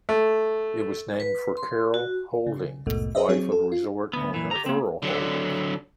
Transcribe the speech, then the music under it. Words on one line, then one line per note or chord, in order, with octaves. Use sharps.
It was named for Carol Holding, wife of resort owner Earl Holding.
A3
B4
C6
F#4
C#3
A#1 D#2 G#2 B2 A3
G#4 B4 C5 D#5 E5
F#3 C4 G#4 C#5
A4
F4
D2 B3
A#2 E3
G4 A#5
A#3 C4
D3 F#3